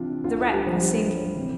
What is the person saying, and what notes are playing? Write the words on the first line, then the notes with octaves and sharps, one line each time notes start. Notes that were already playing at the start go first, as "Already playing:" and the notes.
The wreck was sinking.
Already playing: C2 C3 E3 D4 F4
D2 D3 F4
E4
G3
F3
G3
C3 E3